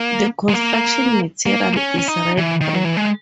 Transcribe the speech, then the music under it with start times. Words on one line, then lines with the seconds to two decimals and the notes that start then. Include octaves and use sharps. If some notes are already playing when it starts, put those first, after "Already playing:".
The construction material is red brick.
Already playing: A#3
0.49 G#3
0.53 A#3
1.46 A#3
1.77 C#4
1.99 C#4
2.08 D#4
2.38 E3
2.61 D#3
2.75 F#3
2.85 E3
2.97 G#3